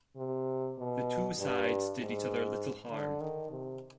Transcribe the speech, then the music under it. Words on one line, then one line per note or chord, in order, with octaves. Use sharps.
The two sides did each other little harm.
C3
B2
G2
G#2
D3
D#3
C3